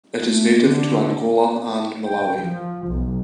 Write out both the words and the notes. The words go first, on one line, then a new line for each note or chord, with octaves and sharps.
It is native to Angola and Malawi.
A3
D3
G5
F3
B1